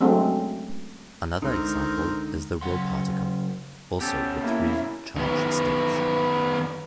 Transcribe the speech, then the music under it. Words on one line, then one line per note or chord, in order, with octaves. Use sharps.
Another example is the "rho particle", also with three charged states.
F#3 G#3 A3 C4 D4
C2 D3 D#3 G#3 C4 D#4 A#4
C#3 F#3 F#5 C6
B2 C#4 G4 A4
A#3 E4
D#3 B3